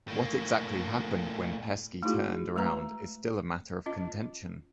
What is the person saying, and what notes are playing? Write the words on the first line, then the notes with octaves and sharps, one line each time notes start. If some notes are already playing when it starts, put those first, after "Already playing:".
What exactly happened when Pesky turned around is still a matter of contention.
A2 A#3
A3 D#4 E4 F#4 G#4
G#3 A3 B4 A#5
C#4 F4 D#5